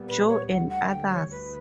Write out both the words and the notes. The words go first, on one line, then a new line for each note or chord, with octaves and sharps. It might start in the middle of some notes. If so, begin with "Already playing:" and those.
Joe, and others.
Already playing: A#2 G3 B3
B4
C#5
D2 D3 G3 F#5
F#5
G5
C#5
D2 B4